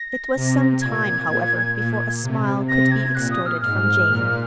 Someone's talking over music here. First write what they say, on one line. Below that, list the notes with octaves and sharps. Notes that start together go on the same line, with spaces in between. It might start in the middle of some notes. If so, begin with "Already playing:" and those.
It was some time, however, before a smile could be extorted from Jane.
Already playing: A#6
C3
A#2 G#6
A#2
A#2
C3
C3 A#6
G#6
A#2 F#6
D#6
F6
G#2 F6
A#2